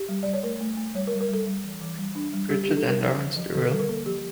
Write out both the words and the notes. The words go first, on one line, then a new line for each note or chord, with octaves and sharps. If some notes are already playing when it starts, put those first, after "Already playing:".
Pritchett and Lawrence Durrell.
Already playing: G4
G3
G3 D5
C#5
A3 A#4
A3
A3
G3 C#5
A#4
G3
A#4
G3 A4
G3
E3
E3
G3
D4
G3
G3 G4
G4
D4
A4
G3 A#4
F3
F3
F3
D3 A4
A#4
G3 A4
A#4
A#3 A4
F3 G4